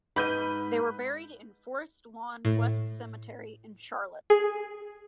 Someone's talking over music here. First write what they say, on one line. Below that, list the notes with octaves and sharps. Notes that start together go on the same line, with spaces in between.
They were buried in Forest Lawn West Cemetery in Charlotte.
G#2 B4 B5 G6 D#7
A2
G#4